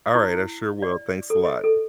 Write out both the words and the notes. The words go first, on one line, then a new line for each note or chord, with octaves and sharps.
Alright, I sure will, thanks a lot.
E4
D5
A4
D#5
A4